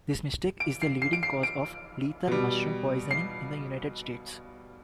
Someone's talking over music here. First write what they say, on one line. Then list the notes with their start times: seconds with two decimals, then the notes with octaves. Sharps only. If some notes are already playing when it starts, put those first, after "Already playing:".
This mistake is the leading cause of lethal mushroom poisoning in the United States.
0.60 D7
0.82 C7
1.02 C7
1.13 D7
1.23 C7
1.43 D7
2.27 B2 G3
3.11 C7